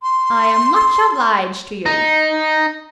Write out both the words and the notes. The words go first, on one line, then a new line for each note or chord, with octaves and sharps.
"I am much obliged to you."
C6
D#4